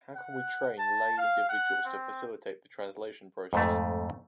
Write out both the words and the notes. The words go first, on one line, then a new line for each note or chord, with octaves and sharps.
How can we train lay individuals to facilitate the translation process?
F#5
A5
F5
F#5
C4
F2 G#2 A3